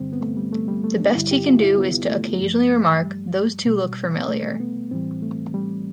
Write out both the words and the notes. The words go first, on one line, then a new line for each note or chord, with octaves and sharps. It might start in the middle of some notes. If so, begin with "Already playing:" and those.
The best he can do is to occasionally remark, Those two look familiar!
Already playing: G2 D3 G3 C4
B3
A3
G3
A3
G3
A3
D4
G2 D3 G3 E4
G4
F4
E4
B3
A3
G2 F3
G3
B2 G3
A3
B3
A2 E3 G3 C4
A3
G3